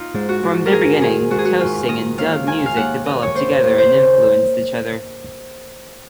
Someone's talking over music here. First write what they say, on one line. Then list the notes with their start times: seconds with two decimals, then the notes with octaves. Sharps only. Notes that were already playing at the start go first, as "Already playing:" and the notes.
From their beginning, toasting and dub music developed together and influenced each other.
Already playing: D#4 F4
0.14 G#2
0.29 F#4
0.43 G#2
0.66 A#4
0.72 G#2 G#4
1.01 D#3 G#4
1.30 G#2 F#4
1.39 G#4
1.45 F#4
1.59 D#3 F4
1.88 D#3 D#5
2.17 D#2 F5
2.47 D#3 G#5
2.66 F5
2.76 D#2 F#5
3.05 D#2 D#5
3.23 C#5
3.34 D#2 C5
3.63 D#2
3.78 C5
3.94 C#3